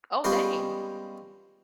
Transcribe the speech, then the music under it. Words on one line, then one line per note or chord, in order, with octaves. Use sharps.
Oh, dang!
G3 G#3 B3 C#4 F4 G4